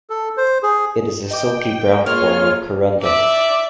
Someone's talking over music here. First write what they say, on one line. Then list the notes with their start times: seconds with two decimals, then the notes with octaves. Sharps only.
It is a silky brown form of corundum.
0.10 A4
0.37 C5
0.63 G#4
1.31 D#5 G5 D6
2.06 G#3 A#3 F4 C#5 F6
3.02 D5 E5